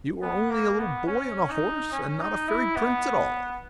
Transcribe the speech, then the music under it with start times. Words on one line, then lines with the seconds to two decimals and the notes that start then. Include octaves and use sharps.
"You are only a little boy on a horse, and not a fairy prince at all!"
0.22 B3
0.50 A#3
0.78 B3
1.07 C#4
1.50 D#4
1.92 C#4
2.20 D#4
2.48 E4
2.76 B3